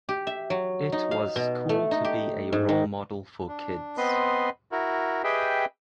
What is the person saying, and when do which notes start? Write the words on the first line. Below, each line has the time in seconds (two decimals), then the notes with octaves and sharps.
It was cool to be a role model for kids.
0.09 G4
0.27 E5
0.50 F#3
0.92 D#4
1.11 F5
1.36 B2
1.69 A3
1.91 D#4
2.05 G4
2.53 G#2
2.69 D#3
3.47 D4
3.97 B3 C4 B4 D#5 C6
4.72 E4 F#4 A#4
5.24 G4 G#4 B4 D#5 E5 G5